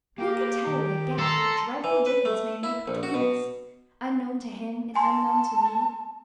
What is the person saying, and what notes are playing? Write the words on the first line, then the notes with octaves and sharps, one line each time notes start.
Who can tell what a gap that dreadful difference may make between us, unknown to him and unknown to me?
A#3 G4 A#4 F5
D#3 D#4
A4 A#5 C6
E3
B4
A3
E4
A#1
F#4
B2
G#5 A5 C6